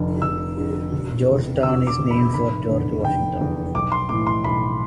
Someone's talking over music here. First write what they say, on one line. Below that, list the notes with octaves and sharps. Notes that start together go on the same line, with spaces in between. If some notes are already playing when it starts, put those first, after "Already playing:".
Georgetown is named for George Washington.
Already playing: F1 F2 D3
F1 E6
F2 D3
E1
E2 C3
E1 E6
D6
E2 C3
B5
F1 B5
E2 D3
F1 G5
E2 D3
B1 D6
C6
A2 E3 D6
C6
B1 B5